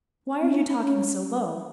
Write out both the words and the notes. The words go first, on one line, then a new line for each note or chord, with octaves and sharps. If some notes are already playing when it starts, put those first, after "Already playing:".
Why are you talking so low?
C4
C#4
D#4
C#4
C#4